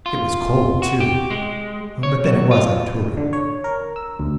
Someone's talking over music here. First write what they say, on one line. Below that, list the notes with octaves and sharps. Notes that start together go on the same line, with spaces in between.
It was cold too, but then it was October.
F4
F#4
G4
G#3
C#5
F#3
F4
D3
C#5
A#4
E6
D2